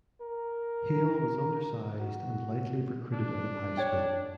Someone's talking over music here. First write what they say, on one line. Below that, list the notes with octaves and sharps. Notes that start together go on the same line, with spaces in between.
Hale was undersized and lightly recruited out of high school.
A#4
F#4
D4
C#5 G5